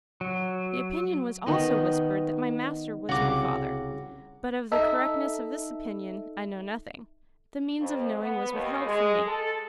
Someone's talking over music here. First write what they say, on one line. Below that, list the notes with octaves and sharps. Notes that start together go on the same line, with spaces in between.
The opinion was also whispered that my master was my father; but of the correctness of this opinion, I know nothing; the means of knowing was withheld from me.
F#3
D#3 B3 D#5
C2 C#3 F#4 D6
D#4 A4 E5
F2
B3
D#2
G#3
A4